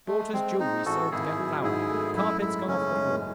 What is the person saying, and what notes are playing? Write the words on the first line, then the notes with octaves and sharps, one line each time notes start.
Daughter's jewelry sold to get flour. Carpets gone off the floor.
G#3 A3
G#3 C4
C4 D#4
A1 F#4 A4
G#1 E4 G#4
F#3
G#2 E4 G#4
A3
F#2 E4
G#3 E4
F#1 C#4
G#3